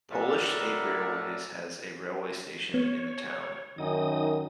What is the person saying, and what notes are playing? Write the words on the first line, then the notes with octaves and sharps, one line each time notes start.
Polish State Railways has a railway station in the town.
A2 F#3 A3 A#4 D5 A#5
B3 C#5
F#2 D#3 D#4 D#6